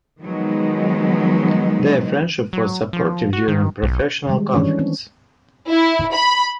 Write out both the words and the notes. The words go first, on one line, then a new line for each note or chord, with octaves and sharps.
Their friendship was supportive during professional conflicts.
D#3 F3 F#3 G#3 B3 D#4
F#3
F3
F#4
D#3
B1
D#3 G3 G#3
D#3 E3 C#4 D4 C#5
C4
E4
B5